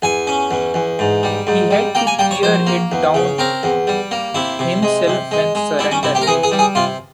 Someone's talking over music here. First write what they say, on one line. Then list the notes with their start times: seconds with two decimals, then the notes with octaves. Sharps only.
He had to tear it down himself when surrendering.
0.02 E2 G#5
0.27 C#4
0.51 E2
0.74 E2
0.99 G#2
1.23 G3
1.47 G#2
1.71 G3
1.95 A#3 G5
2.07 G#5
2.19 G3 G5
2.31 C#5
2.43 A#1 C5
2.67 A#3
2.92 E2
3.14 C#3
3.38 C4 A#4
3.63 E2
3.87 G3
4.11 A#3
4.35 C3 E4
4.59 C3
4.83 G#3
5.07 C3
5.31 G#3
5.55 G#3
5.79 G3 E4
5.91 C#4
6.03 C3 E4
6.15 G4
6.21 A#4
6.27 E3 G#4
6.43 G#4
6.52 G3
6.59 G#4
6.75 C3 F4